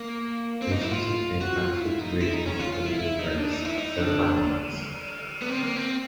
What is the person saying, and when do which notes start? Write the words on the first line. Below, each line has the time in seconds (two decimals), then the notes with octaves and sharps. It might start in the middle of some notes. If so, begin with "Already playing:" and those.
Asians obtained bachelor's degrees more than any other race, followed by Whites.
Already playing: A#3
0.62 C4
0.71 D#4
0.81 E4
0.91 F4
1.41 F#4
1.61 F4
1.80 E4
2.01 D#4
2.20 E4
2.34 D#4
2.46 C#4
2.59 F4
2.73 F4
2.86 E4
2.99 E4
3.19 D#4
3.38 D4
3.51 D#4
3.65 E4
3.79 D#4
3.98 D4
5.42 B3
5.49 C4
5.63 A#3
5.76 C4